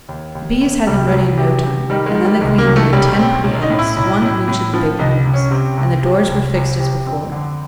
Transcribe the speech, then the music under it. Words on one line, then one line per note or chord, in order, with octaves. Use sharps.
The Bees had them ready in no time, and then the Queen laid ten pretty eggs, one in each of the big rooms, and the doors were fixed as before.
D#2
D#2
D#2
C2 G3
G3
C2 F#3
C3
C3
D#3 G3
G#3
D#3
G3
C2 G#3
A#3
C2
A3
B1 G3
B1 C4
B1
D#4
A2
E4
B1
A2
A2
F3
C2 D#4
C2
C#4
C3 C4
C2
C3
C2
C2
C3
F2 C4
D3